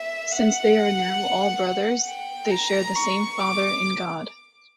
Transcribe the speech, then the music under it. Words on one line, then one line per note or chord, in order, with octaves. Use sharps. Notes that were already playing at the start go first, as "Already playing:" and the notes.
Since they are now all brothers they share the same father in God.
Already playing: E5
F#5
G5
A#5
C#6
D6